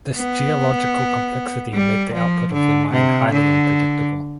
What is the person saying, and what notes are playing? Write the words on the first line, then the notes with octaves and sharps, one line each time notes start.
This geological complexity made the output of the mine highly unpredictable.
B3
G3
F3
D3
C3
D3